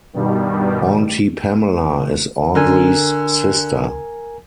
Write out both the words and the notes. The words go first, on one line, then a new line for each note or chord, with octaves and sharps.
Auntie Pamela is Audrey's sister.
G2 B2 D#3 G3
D3 A#4 G#5